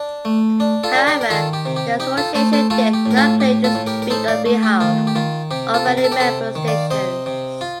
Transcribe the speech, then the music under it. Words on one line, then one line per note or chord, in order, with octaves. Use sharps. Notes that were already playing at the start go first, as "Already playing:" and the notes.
However, the association did not claim to speak on behalf of any member stations.
Already playing: D4
A3
D4
F4 A4
D4
G4 A#4
A#4
D#3 F4 A4
G4
C3
G4
D#4 G4
F4 A4
A3 A4 C5
A4 C5
A3 F4 A4
G4
A2
A#4
F4 A4
A2 G4
F4 A4
A2
G4 A#4
A#4
D#4 A4 C5
D5 F5
A3
G4
D#3 F4
G4
D#3 F4
C3 G4
F4 A4
C3
A#4
A4
G4 A#4
C3 A4 C5
D#3
D5 F5
C3 C5 D#5
C3
F4